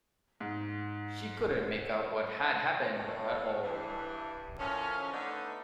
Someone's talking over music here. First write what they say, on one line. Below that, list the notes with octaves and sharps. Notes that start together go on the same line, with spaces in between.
She couldn’t make out what had happened at all.
G#2
A2
G2 E3
A2 D#3 F3 C#4
D3 A3 B3 D4 D#4